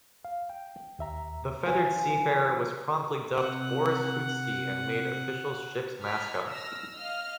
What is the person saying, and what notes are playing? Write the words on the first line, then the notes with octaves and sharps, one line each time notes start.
The feathered seafarer was promptly dubbed Boris Hootski and made official ship's mascot.
F5
G5
D#2 E5 A#5
F#2 E3 F4 G#5
C3 F#5
D#5 A5 B5 F6 G#6 B6
E6 F6 A#6
D#5 F5 F6